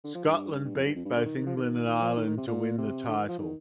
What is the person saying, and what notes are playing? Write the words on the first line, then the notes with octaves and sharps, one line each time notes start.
Scotland beat both England and Ireland to win the title.
D3
F3
G2
G2
F2
G2
F2
G2
D3
D#3
D#3
F3
D#3
D#3
F3
D#3
D#3
C3
A#2
C3
D3
D#3
F3
D#3